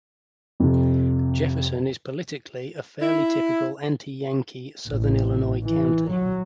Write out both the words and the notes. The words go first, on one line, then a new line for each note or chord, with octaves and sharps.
Jefferson is politically a fairly typical "anti-Yankee" Southern Illinois county.
F2 C3
E4
A1
E3
F#3